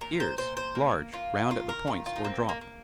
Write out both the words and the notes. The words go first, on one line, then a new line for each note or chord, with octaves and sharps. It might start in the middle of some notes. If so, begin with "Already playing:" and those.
EARS--Large, round at the points or drop.
A#2 A#4
C5
A#2 C5
C5
A#3
A#3 F4
D#3 F4
A#4
D#3 F4
F4
D#4
A#3 C4
A#3
A#3